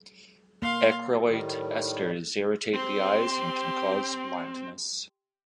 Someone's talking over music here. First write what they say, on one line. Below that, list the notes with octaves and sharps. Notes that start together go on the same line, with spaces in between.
Acrylate esters irritate the eyes and can cause blindness.
A#3 F5 C6
A2 D#3 G3
C4 G4 C6